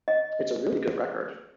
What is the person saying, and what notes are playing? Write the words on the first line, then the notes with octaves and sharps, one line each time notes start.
It's a really good record.
D#5